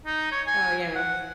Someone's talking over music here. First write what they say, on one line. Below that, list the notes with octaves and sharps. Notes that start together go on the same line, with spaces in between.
Oh, yeah.
D#4
C#5
G#5
F#5